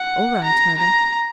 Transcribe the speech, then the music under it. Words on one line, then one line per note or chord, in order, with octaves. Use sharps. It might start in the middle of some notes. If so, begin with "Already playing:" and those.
'All right, Mother.
Already playing: F#5
A#5
A#5